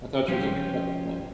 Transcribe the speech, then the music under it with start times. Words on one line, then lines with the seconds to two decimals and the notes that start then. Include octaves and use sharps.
I thought she was gonna cut her palm.
0.28 F3 C#4 F4 G4